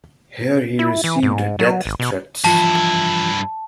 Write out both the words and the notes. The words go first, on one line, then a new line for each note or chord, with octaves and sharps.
Here he received death-threats.
E4
E3
G#2
F#3
G#1
B2
G2 E3 F3 E4 F4 A5